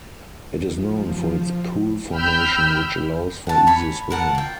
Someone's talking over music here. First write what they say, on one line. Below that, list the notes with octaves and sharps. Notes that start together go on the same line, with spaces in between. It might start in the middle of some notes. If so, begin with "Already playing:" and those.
It is known for its pool formation which allows for easy swimming.
F3
G5 B5 E6 F6 G6
F#5 A5
C#5 G#5 B5
A#4 F#5 A5
F4 G5